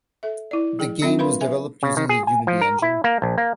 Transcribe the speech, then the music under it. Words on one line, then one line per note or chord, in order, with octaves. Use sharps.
The game was developed using the Unity engine.
A4 E5
E4 D5
F3 G#4 G5
F#3 C4 D4 F4 E5 G5
A#4 B4 F5 B5 C6
B4 E5 G#5
C#3
D#3
G#4
G#5
F3
A#4
E4
A#3
A#1
A#3